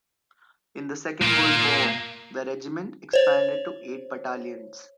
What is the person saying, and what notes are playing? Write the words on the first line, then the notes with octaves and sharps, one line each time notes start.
In the Second World War, the regiment expanded to eight battalions.
A#3 F4
C5 C#5